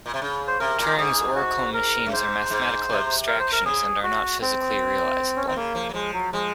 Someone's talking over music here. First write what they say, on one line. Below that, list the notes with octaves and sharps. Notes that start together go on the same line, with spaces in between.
Turing's oracle machines are mathematical abstractions, and are not physically realizable.
A#2
C3
C#3
C5
C3 A#4
A#2
G#2 G#4
F#4
A#4
F#2
G#2 C5
G#2
C3
A#4
C5
A#4
C#3 G#4
F#4
C4
C#4
D#3 C4
C#3 A#3
F3
F#3
F3 G#3
F#3
F3 G#3